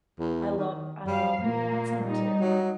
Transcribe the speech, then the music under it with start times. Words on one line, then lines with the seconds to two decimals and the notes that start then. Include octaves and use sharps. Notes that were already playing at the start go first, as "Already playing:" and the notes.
I love I love being outside too. You
0.20 E2
0.58 D#3
1.07 F#2 G3 F5
1.42 A#2 A#3
2.03 G3 D#4
2.41 F#3